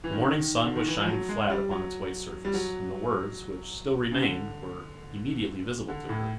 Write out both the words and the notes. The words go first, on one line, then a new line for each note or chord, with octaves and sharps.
The morning sun was shining flat upon its white surface, and the words, which still remained, were immediately visible to her.
E3
D#3
D3
D#3
D3
D#3
E3
F3
F#3
G#3
G3
F#3
G3
F#3
C#3
D3
D3
A2